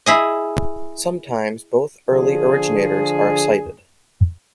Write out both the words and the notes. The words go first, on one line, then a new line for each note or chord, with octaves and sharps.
Sometimes both early originators are cited.
E4 G#4 D#5
D3 F3 D4 G#4